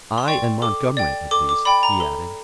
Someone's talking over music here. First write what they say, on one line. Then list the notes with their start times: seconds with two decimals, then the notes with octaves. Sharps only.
"I and Montgomery, at least," he added.
0.18 C6
0.28 D5 G5 C#6
0.62 A4 D6
0.97 D5 G5
1.31 A4 D6
1.49 D6
1.65 D5 G5 B5
1.83 A#5
2.00 A4